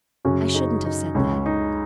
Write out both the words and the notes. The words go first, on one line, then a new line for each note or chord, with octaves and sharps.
I shouldn't have said that.
F#2 C#3 C#4 F#4
D#4 G#4
D#4
C#2 C#3 C#4
D#4